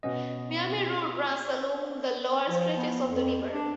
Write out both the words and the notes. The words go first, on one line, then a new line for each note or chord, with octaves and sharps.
Miami Road runs along the lower stretches of the river.
B2 B3 C#4 D#5
F3
B3
F2
D4